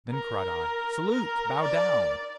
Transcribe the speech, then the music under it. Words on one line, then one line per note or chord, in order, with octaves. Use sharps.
Then cried I, "Salute! Bow down!"
A#4
A#4
D5